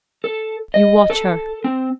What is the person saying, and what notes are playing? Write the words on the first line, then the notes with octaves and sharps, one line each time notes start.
You watch her.
A4
D#5
A4
C4